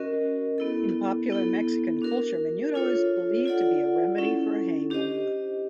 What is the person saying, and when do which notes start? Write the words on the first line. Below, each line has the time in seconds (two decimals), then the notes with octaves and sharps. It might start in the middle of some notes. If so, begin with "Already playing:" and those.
In popular Mexican culture, Menudo is believed to be a remedy for hangover.
Already playing: C#4 F#4 A#4 D#5
0.58 B3 E4 A4
1.30 B3 E4 A4
2.02 D4 F#4 A#4
2.74 D4 F4 A4 C#5
3.45 F4 A4 D5 F#5
4.18 C#4 E4 A4
4.90 D4 G4 C5 D#5